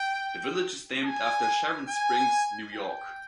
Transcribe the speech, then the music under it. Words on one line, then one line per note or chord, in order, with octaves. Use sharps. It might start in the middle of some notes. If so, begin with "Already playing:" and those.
The village is named after Sharon Springs, New York.
Already playing: G5
G#5
G#5
G5